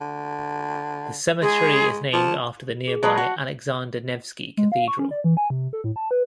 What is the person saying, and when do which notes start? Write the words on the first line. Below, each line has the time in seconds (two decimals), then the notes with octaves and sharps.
The cemetery is named after the nearby Alexander Nevsky Cathedral.
0.01 D3
1.42 G#3 G#4
2.13 F3 A5
2.87 G#4
3.03 F#3 G#3 B4 A5
3.17 F#4
4.57 G#3
4.72 F5
4.88 C#6
4.99 C#4
5.11 D5
5.24 E3
5.37 G#5
5.50 C3
5.73 A4
5.84 A2
5.96 A5
6.11 B4